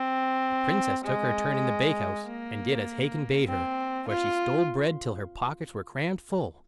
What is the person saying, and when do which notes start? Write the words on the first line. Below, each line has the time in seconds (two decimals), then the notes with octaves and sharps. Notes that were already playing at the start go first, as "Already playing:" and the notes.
The Princess took her turn in the bakehouse, and did as Hacon bade her, for she stole bread till her pockets were crammed full.
Already playing: C4
1.05 G#3
2.27 A#3
3.48 C4
4.09 F4